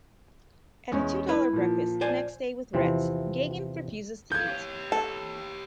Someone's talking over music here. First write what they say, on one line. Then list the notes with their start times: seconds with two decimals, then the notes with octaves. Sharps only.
At a two dollar breakfast the next day with Retz, Gagin refuses to eat.
0.92 E2 G#3 C#4
1.28 E4 B4
1.53 A#2 F3
2.01 C5 D5 G#5
2.73 E2 C3 E3 F3 C4
4.32 A4 F5 G6 G#6
4.48 G4 C#5
4.92 A4